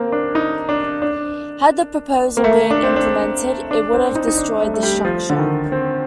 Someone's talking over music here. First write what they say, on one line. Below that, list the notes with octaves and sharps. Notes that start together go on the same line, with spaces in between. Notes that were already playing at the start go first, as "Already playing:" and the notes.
Had the proposal been implemented, it would have destroyed the structure.
Already playing: A#3 C4
D4
D#4
D4
D4
A#3
A3
A#3
D4
C4
D4
D4
C4
D#4
D#4
D4
A3
A3
G3
F3
D3
D#3
C4